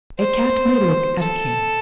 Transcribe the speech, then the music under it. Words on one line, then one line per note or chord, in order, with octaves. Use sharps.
"A Cat may look at a king."
C5
A4